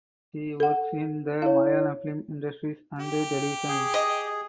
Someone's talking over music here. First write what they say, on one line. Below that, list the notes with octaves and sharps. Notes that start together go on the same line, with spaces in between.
She works in the Malayalam film industry and television.
A4 F#5
E4 C#5 F5
G4
G#4
D#5